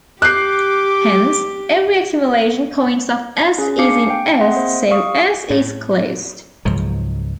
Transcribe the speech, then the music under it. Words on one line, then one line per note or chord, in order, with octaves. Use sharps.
Hence, every accumulation point of "S" is in "S", so "S" is closed.
G4 D6 F#6 G6 C7
C#4 G#4
D4 F5 G#5 D6 C7 C#7
G5
C4 G#4 D#5 E5 F#5 C6
A#3 C5
F5 C#6 D#6
A2
C#2 G#2 F3 F#3